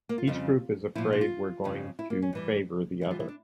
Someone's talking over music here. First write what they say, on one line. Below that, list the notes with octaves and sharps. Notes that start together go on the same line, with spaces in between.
Each group is afraid we're going to favor the other.
A#3
F4
F2 C#3 G3
A#2 F3 E4
D4
F4
F2 C#3 G3
E4
A#3
C#4
G2 E3 G3
E2 E3 G3 E4
F4
E4
D4